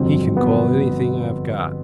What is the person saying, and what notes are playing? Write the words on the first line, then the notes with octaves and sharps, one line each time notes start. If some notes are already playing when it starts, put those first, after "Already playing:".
He can call anything I've got.
Already playing: G1 F2 C3 D#3 F#3 C4
B3